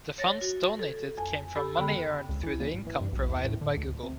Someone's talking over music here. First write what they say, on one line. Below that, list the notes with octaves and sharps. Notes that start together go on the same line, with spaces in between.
The funds donated came from money earned through the income provided by Google.
C#5 A6 A#6
F#4
A4 G#6
F2 G#5
G4 A4 B5 E6
D3 B3 G5 B5
C#2
E3
A#2
G#1
E3
G2
B1
E2
A2
D3
D2
C3